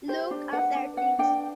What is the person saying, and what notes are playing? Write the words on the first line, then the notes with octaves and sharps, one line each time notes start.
Look after things.
G4 C5
D4
B4 F#5
D4
B4 F#5
D4 G5